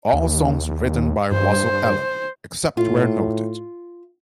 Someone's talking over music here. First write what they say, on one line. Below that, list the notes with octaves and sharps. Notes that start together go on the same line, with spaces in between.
All songs written by Russell Allen, except where noted.
D#2
G2 C5
A2 F4